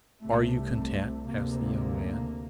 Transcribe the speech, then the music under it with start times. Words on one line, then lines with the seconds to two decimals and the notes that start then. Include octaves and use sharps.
"Are you content?" asked the young man.
0.22 C2 C3 A3
1.27 D2 C3 A#3